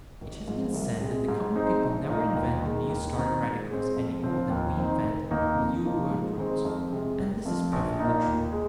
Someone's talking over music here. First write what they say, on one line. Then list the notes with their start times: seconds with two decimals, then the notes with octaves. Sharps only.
It has been said that the common people never invent new story-radicals any more than we invent new word-roots; and this is perfectly true.
0.21 G#1
0.48 G#2 F3
0.74 C2
1.01 C3 G#3
1.28 G#2
1.56 G#3 C4 D#4
1.82 A#1
2.09 A#2 A#3 D#4
2.35 D#2
2.63 D#3 G#3
2.90 D#2
3.17 D#3 C4 D#4
3.43 G#2
3.70 G#3 C4
3.96 F2
4.24 F3 C4
4.50 D#2
4.77 D#3 C4 D#4
5.03 F1
5.31 D#2 D#3 A#3 D#4
5.57 F2
5.84 F3 A#3 D#4
6.11 G#2
6.38 D#3 G#3 C4
6.65 F2
6.92 C3 G#3
7.19 F1
7.45 F2 F3
7.73 A#1
7.99 A#2 A#3 D#4
8.26 D#2
8.52 G#3